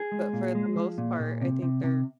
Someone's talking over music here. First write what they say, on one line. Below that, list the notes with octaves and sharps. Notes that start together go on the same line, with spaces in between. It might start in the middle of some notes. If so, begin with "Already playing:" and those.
But for the most part, I think they're
Already playing: G#4
G#3
A#2
G#3
F3
A#2
A#2
C3
C3
C3